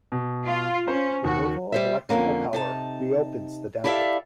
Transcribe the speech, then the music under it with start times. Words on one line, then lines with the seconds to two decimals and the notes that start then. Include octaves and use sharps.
Removal of electrical power re-opens the damper.
0.12 B2
0.46 F4
0.88 C#4 C5
1.24 D#2 F#4
1.72 G3 C5 E5
2.09 F2 G#2 D3 A#3 C#4
2.53 C3 D#4 A5
3.84 E4 G4 A4 D5 E5 F5